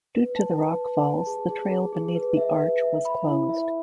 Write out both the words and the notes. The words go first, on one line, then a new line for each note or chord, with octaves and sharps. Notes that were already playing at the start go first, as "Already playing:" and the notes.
Due to the rockfalls, the trail beneath the arch was closed.
B4
A5
B4
B4
A5
G#4
G#4
G#4
G#4
B4
E5
B4
E5
B5
E4
E5